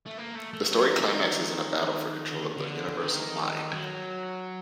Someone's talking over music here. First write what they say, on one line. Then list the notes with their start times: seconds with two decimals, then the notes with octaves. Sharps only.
The story climaxes in a battle for control of the Universal Mind.
0.06 A3
0.18 A#3
0.35 A3
0.53 A3
0.72 F#3
0.89 D#3
2.31 D3
2.57 D3
3.02 D#3
3.73 F#3